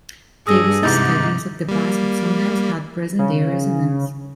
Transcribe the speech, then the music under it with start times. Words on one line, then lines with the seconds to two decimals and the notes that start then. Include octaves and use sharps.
Davis's studies of the past have sometimes had present-day resonance.
0.47 G2 G#4 D#6 E6 A#6
0.83 G#2 C3 E3 D#4 D6 G6 A6
1.68 G3 A#3
3.19 C#3